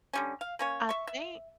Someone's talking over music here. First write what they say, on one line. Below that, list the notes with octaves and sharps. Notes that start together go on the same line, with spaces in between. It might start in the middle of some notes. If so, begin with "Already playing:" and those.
I think
D3 G3 C#4
F5
A#3 C#4 C#5
E5 C#6
E5